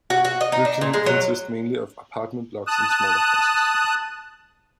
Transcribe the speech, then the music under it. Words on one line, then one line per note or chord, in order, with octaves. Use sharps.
Rykkinn consists mainly of apartment blocks and smaller houses.
F#4
F#4
D#5
D#4
D4
A#2
G#3
F#3
A5 D#6 F#6